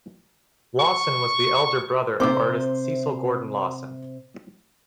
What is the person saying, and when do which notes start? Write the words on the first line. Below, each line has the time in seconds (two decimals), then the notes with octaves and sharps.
Lawson was the elder brother of artist Cecil Gordon Lawson.
0.79 C#6
2.20 C3 C4 C5 D6